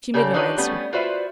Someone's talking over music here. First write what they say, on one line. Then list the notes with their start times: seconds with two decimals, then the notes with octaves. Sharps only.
She made no answer.
0.14 C#3 C#4 G4 A4 D5 A#5
0.34 D4 D#4 F4 G4 B4 C#5
0.58 G3 A3 B3 C#4
0.93 F4 F#4 B4 C5 D5 E5